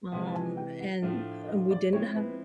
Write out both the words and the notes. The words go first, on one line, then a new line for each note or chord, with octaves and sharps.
Um, and, uh, we didn't have
C3 E3 G#3 F#5
A5
G#5
G5
F#5
A2 F3 A3 D4 F4
D#5
D5
F3 G#3 C4 E4 C#5
B4